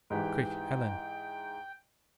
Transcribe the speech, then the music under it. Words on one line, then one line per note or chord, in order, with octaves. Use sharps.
Quick, Ellen!'
G#2 E3 G4 G5